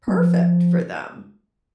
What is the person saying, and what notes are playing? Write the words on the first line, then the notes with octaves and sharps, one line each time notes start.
perfect for them,
F#3
F3